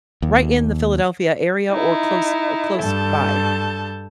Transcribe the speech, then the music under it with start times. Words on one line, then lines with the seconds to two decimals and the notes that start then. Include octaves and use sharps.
right in the Philadelphia area or close or close by.
0.22 D#2
1.71 D#4 E4
2.80 G2 A4 A5 G6